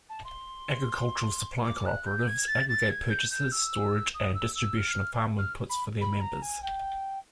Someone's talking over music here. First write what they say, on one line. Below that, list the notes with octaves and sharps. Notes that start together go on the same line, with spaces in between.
Agricultural supply cooperatives aggregate purchases, storage, and distribution of farm inputs for their members.
A5
C6
D6
F#6
G6
G#6
A6
A6
G#6
G6
G6
E6
D#6
E6
E6
F6
F6
B5
B5
A#5
G#5
G5